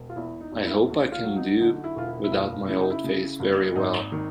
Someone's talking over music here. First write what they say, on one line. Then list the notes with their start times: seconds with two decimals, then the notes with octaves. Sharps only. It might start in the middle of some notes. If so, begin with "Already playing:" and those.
I hope I can do without my old face very well.
Already playing: E1
0.10 F4
0.16 E2 E4
0.41 D#4
0.52 E2
0.64 E4
0.88 D2
1.12 F4
1.24 F#3
1.36 D#4
1.60 D3 D#4
1.84 E4
1.96 E1 F4
2.08 E4
2.24 E4
2.32 F#1 F4
2.68 C#3 E4
2.79 D#4
2.90 E4
3.04 C#3
3.40 F#1
3.76 G#1 D#4
4.12 D#3